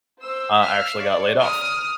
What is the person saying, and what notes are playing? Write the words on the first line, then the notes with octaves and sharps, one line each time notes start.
uh, I actually got laid off,
C5 E6
E5 F5 E6 F6
C#5 D5
D#6 F6